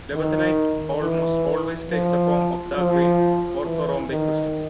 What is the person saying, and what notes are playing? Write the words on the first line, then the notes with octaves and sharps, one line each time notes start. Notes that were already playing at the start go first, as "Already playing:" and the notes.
Libethenite almost always takes the form of dark-green orthorhombic crystals.
D#3
E3
F3
F3
E3
D#3